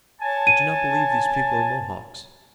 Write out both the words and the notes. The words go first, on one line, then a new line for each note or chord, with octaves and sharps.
I do not believe these people are Mohawks.
C#5 G#5 A5
D#7